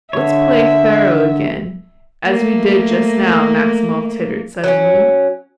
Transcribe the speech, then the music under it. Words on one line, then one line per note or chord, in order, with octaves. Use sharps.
"Let's play faro again, as we did just now," Maximov tittered suddenly.
D3 C#5 E5
A3 A#3
F#3 B3 C#4